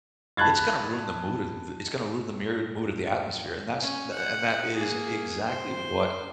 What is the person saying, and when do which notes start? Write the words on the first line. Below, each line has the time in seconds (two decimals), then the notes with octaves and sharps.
it's gonna ruin the mood of the it's gonna ruin the mere mood of the atmosphere, and that's th th and that is exactly what
0.37 A5 B5 F#6 G#6 A6
3.82 C#4
4.13 F#5
4.75 A#3 G#4
5.46 C5